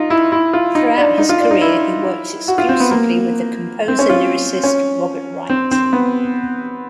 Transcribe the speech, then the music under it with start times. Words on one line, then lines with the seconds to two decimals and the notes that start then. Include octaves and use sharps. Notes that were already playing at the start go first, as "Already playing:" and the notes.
Throughout his career he worked exclusively with the composer-lyricist Robert Wright.
Already playing: D#4 F4
0.10 E4
0.32 E4
0.53 F4
0.75 D#4
0.97 D4
1.18 D#4
1.29 F4
1.40 D4
1.51 D#4
1.61 E4
2.48 F#4
2.58 F4
2.69 C4
2.80 B3
2.91 A#3
3.88 C4
3.99 C#4
4.09 F4
4.64 C#4
5.50 C4
5.71 C4
5.93 B3